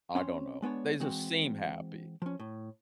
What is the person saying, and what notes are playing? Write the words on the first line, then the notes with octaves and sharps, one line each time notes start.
I don't know, they just seem happy.
C4 C#4 C5 C#5
G#3 B3 D4 C#5
E3 G#3 C4 F#4
F3 C#4
A2